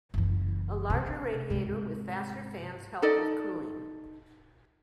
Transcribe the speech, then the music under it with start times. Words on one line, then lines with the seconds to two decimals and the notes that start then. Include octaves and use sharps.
A larger radiator with faster fans helped with cooling.
0.14 F#1 E3
0.90 C3
1.50 G#2 C3
3.02 D#4 A4 D5 D#5